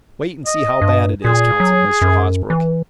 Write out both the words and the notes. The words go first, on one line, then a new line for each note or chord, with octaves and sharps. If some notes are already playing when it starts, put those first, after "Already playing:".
"Wait and see how bad it is," counseled Mr. Hosbrook.
D#5
G2
A#2 G#4
F#3
F#2
E3